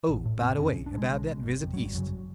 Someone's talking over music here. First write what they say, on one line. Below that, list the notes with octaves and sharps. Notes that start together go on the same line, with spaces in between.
Oh, by the way--about that visit East.
A1
A2
F1 C4
F2 C#3 C#4
B1
D4
B2 G#3
B1 G#3
B2
G1
F2 C3
F#3
G#1 G3
F#2 C#3 F#3